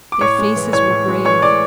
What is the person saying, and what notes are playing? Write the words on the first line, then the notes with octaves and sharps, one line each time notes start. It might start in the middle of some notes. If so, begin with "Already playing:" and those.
Their faces were grave.
D6
A2 C#5 C#6
G#3
E3
A2 C#5 C#6
A2
G#3
E3 C#5 C#6
A2 D5 D6